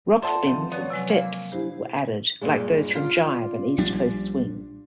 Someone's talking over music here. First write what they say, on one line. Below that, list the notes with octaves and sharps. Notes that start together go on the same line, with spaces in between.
"Rock spins" and "steps" were added, like those from Jive and East Coast Swing.
F4 A4 C5 D5 E5 F#5 A5
D#3 F3 C4 A5
B3 C#5 D5
C3 F#3 G#3
A#3
A#1 E4 G4 C5
G2 A#2 G#3
F4 D5
A#1 G3 D4